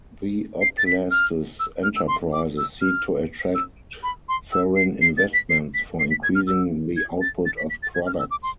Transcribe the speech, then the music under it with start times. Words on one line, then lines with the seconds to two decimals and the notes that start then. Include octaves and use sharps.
The oblast's enterprises seek to attract foreign investments for increasing the output of products.
0.61 C7
0.78 A6
0.86 B6
1.11 F6
1.60 E6
1.83 F6
1.96 E6
2.08 C6
2.33 D6
2.58 E6
2.81 F6
3.55 E6
4.03 B5
4.29 C6
4.52 E6
4.76 C7
5.02 C7
5.18 A6
5.34 B6
5.50 C7
5.74 B6
6.00 C7
6.11 B6
6.23 G#6
6.35 F6
6.47 E6
6.97 G#6
7.21 A6
7.46 A6
7.57 B6
7.70 B6
7.83 A6
7.94 G#6
8.07 F6
8.19 E6
8.31 D6
8.43 C6